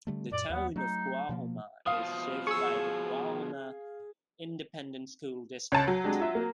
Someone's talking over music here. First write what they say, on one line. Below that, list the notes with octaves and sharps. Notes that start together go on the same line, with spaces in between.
The Town of Coahoma is served by the Coahoma Independent School District.
D3 G3 A3
F#2 A#2 D5
D#2 B3
F#3 A3 D#4
B2 F3 A#3
B2 F3 F5 D#6
G#4 C#6 E6
C#2 C#5 A5
F#3
G#3 D4 G4
F4 E5
A#3